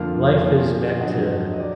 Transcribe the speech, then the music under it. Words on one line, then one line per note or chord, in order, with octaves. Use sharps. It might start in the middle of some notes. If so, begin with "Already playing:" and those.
life is meant to,
Already playing: F2 D3 F3 A#3 F5
A#2 F3 A#3
F2 D3 F#3 D#5 F#5
D#5
D5